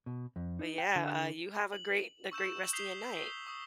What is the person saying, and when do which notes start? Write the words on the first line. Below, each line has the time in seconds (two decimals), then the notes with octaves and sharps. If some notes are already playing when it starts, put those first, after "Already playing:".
But, yeah, uh, you have a great a great rest a your night.
0.06 B2
0.36 F2
0.59 D#4
0.78 G5
0.96 D3
1.72 F#7
2.32 C#6 E6 G6 E7
2.73 D#6 G6 B6 C7 F7 G7
3.16 C7 G7
3.47 C#6 D#6